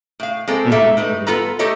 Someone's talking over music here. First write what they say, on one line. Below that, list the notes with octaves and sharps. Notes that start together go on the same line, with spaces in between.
Mhm, mhm.
A2 F5
G#3 A#3 C4 A4
A#3 A4 E5 A#5
A2 D#4 B4
B3 F4 A4 B4 A#5
A3 G4 A4 C#5 D#5 A#5